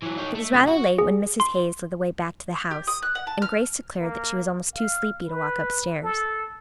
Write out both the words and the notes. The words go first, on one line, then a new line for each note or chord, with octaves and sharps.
It was rather late when Mrs. Hayes led the way back to the house, and Grace declared that she was almost too sleepy to walk up-stairs.
E3 F#3
D#4 C#5
A3
F2 C#3
F#4
G#4
C6
G4
D#6
F#6
F#5
A5
F6
A#3
F5
B4
A4